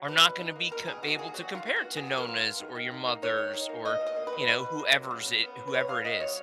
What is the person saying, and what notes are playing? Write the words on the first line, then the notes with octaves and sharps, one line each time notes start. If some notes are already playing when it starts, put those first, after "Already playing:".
are not gonna be co be able to compare to Nona's or your mother's or, you know, whoever's it whoever it is.
Already playing: F#3
B2 B4
B2
D#4
A#3
B2 A#4
B2 G#4
D#4 F#4
A#3 G#4
F#3 F#4
F#3 F4
F4
B3 F#4
F#3 G#4
F#3 A#4
F4
B3
D#3
D#3
D#4
A#3
D#3 C#5
D#3
D#4
A#3
B2 D#5
B2
D#5
A#3
B4
F#3
B2 B4
B2
A#3
F#3
C#3
C#3
B3
F#3
B4
C#3 C#5
C#3 F5
B3 D#5
F#3 C#5